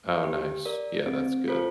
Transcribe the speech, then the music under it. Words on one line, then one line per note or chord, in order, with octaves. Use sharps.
Oh, nice. Yeah, that's good.
G4
A#4 D5
C4
F4 A4 C5